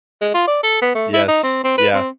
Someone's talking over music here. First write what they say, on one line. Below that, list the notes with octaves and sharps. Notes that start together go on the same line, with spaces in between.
Yes, yeah.
G#3
F4
D5
A4
B3
A3
E4
D#4
C4
C4
B4
C4